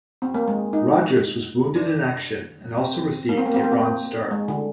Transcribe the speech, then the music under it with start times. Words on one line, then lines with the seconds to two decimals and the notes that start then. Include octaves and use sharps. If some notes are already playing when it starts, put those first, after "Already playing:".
Rogers was wounded in action and also received a Bronze Star.
0.22 C4
0.34 A#3
0.48 G#3
0.73 D#4
1.76 D4
2.78 C4
3.29 A#3
3.38 C4
3.46 A#3
3.54 C4
3.64 A#3
3.72 C4
3.80 A#3
4.31 G#3
4.48 D3